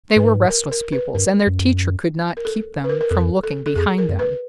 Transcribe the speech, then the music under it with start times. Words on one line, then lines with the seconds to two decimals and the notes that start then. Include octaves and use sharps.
They were restless pupils, and their teacher could not keep them from looking behind them.
0.16 G#2 B4
0.49 A#4
0.71 A#4
0.92 B4
1.15 G2 A#4
1.47 F#2
2.37 A#4
2.45 A4
2.84 B4
2.89 A#4
3.01 A#4
3.11 F2 A4
3.43 A4
3.66 A4
3.76 F2 G#4
3.98 A#4
4.09 F#2
4.19 B4